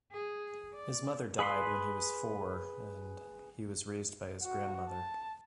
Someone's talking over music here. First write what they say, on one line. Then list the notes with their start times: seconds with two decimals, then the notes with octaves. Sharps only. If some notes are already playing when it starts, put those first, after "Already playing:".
His mother died when he was four and he was raised by his grandmother.
0.12 G#4
0.74 D5
1.39 G#4 B4 B5 C6
4.42 F#4
4.89 A5